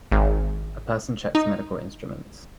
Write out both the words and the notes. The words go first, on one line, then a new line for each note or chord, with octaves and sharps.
A person checks medical instruments.
G#1
D#4